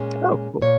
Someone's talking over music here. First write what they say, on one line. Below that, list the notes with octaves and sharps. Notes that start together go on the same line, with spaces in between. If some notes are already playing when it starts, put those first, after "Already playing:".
Oh, cool.
Already playing: A#2 G#3 C#4
A#2 C#5